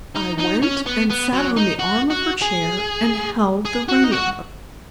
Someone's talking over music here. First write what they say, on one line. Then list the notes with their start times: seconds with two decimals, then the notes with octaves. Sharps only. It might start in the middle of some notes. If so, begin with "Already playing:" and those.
I went and sat on the arm of her chair, and held the ring up.
0.16 D#4
0.39 D#4
0.63 C#4
0.86 B3
1.10 B3
1.33 F#3
1.56 D#4
1.79 F#4
2.10 F#4
2.42 G#4
3.65 G#4
3.89 F#4
4.04 D#4
4.12 F#4